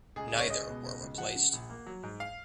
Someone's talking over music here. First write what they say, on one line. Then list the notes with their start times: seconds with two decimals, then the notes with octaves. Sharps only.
Neither were replaced.
0.16 C#2 G#4
0.28 G#4
0.33 C#2
0.39 C#5
0.50 G#3 D#5
0.68 B2
0.85 C#2
1.01 C#2
1.18 F3 F#5
1.36 C#3
1.53 A#1
1.70 A#3
1.86 F#3
2.03 G#2
2.20 F5